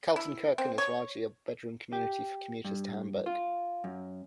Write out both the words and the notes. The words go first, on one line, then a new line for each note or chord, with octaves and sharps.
Kaltenkirchen is largely a bedroom community for commuters to Hamburg.
E4
C4
C#5
G4
G2
F4
F#2